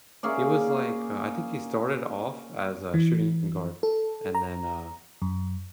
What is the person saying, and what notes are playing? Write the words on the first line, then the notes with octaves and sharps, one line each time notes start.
he was, like, uh I think he started off as a shooting guard, and then, uh,
A#3 C#4 G#4 D5
E3
A4
A#5
F#2